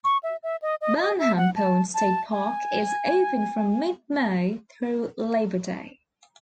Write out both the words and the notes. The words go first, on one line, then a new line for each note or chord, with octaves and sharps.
Burnham Point State Park is open from mid-May through Labor Day.
C#6
E5
E5
D#5
D#5
D#5
E5
F#5
A5
A5
G#5